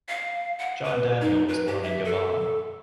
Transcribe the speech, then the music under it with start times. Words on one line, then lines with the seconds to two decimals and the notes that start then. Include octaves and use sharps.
John Daniel was born in Gabon.
0.09 F5
0.59 F#5
0.84 B4
1.21 D#4
1.49 B4
1.67 G4
1.83 E5
2.05 A4